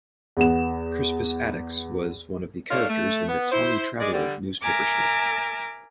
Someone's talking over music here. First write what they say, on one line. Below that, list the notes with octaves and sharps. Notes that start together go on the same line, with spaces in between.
Crispus Attucks was one of the characters in the "Tommy Traveler" newspaper strip.
E2 B3 E7
A3 D4 D#4 C#5 F5
A3
B3
E4 C5
G#3 D5
D3 G3
A#4 E5 G#5 A#5 D6